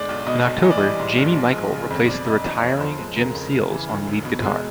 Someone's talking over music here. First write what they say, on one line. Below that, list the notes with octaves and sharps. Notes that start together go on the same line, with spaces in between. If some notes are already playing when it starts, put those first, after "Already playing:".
In October, Jamie Michael replaced the retiring Jim Seales on lead guitar.
Already playing: G1 G#3 D5
B1
B2 D#5
B1
E3 D#5
D5
G3 D#5
G#2
A#1
F3
G#3
C#3
F2
B2 D5
E1 D#5
E2 D#5
E1 C#5
F3 C5
G#3
C#3 A#4
F2
C#3
E3
D2
E1
B2
G#3